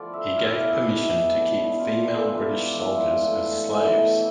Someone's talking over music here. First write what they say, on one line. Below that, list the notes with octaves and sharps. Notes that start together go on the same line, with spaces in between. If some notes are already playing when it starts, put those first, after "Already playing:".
He gave permission to keep female British soldiers as slaves.
Already playing: F3 B3 F4 D5
E5
B2 B3 E4 F5
G#5
F5
G#4
B2 B3 E4
B2 B3 D4
B2 B3 D4 F4
A4
E3 G#3 D4 F4 B4
D5
E3 G#3 D4 F4 E5
E5
G#5
B2 A3 E4
B2 A3 E4
E3